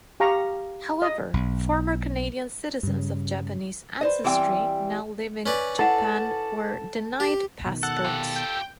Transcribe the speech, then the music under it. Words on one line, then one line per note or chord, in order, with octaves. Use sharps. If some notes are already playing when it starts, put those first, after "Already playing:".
However, former Canadian citizens of Japanese ancestry now living Japan were denied passports.
G4 F5 A#5 C#6
D#5
B1
G2 C#3
B4 C5 D#5
E3 G3 C4 G4 G5
C#4 B4 D5
E4 A4 F#5 A5
G4
B2 D#3
A4 F#5
F4 G4
G5